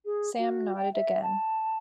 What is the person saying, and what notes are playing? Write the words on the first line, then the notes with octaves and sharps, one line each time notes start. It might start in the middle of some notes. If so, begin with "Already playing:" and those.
Sam nodded again.
G#4
F#4
G5
E5
A5